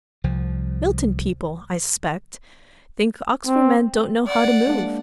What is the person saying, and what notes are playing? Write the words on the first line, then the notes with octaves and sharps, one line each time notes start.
'Milton people, I suspect, think Oxford men don't know how to move.
C2 F3
C4
D5 F#5
G#3 A#3 D4